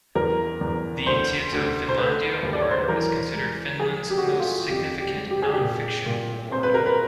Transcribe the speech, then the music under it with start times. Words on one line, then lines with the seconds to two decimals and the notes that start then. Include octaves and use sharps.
The Tieto-Finlandia Award is considered Finland's most significant non-fiction award.
0.15 E2 A#4
0.61 E2
1.07 D2 C5
1.52 D2
1.89 C5
1.98 A3 B4
2.43 D#2
2.53 D5
2.62 C#5
2.71 C5
2.80 B4
2.88 E3 A#4
3.35 G#3
3.80 F3 G#4
4.10 G4
4.18 F#4
4.25 A3 G4
4.40 F4
4.70 F2 G4
5.01 G4
5.16 G#3
5.31 G4
5.42 G#4
5.53 G4
5.61 A#2
6.06 A#2
6.52 C4 C5
6.63 B4
6.74 A#4
6.86 B4